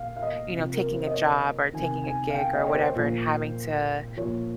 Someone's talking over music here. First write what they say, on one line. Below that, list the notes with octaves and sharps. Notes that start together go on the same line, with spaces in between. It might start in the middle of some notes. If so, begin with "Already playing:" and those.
you know, taking a job, or taking a gig, or whatever, and having to
Already playing: A#2 F5
F5
D#5
C3 F3
A#4
C5
D#5
C#5
C3 D#3 G#5
G#5
F5
G5
D#5
C#5
C5
A#2 F3
F3 C#5
A#2